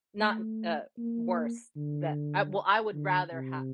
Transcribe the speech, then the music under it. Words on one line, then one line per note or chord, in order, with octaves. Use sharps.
not, uh, worse that I, well, I would rather h
A3
A#3
D3
D3
C3